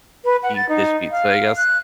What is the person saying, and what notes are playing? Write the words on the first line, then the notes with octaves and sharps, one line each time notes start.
deep dish pizza, I guess,
B4
F#5
A6
D#4
F5
F#6